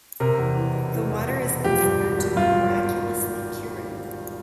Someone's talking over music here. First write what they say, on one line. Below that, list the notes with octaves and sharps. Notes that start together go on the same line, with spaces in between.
The water is considered to be miraculously curing.
C3 A#4
E2
E3
E1
E3
E2
E1
E1
F3 G4
G2
G#1
G#1
G2 F4
G#1
G#1